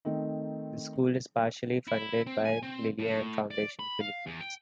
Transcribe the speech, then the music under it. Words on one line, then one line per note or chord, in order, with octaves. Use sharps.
The school is partially funded by Liliane Foundation Philippines.
D#3 A3 C4 D#4
E4
C4
G#5
C4
A2
D5
B5
F5
E2
G5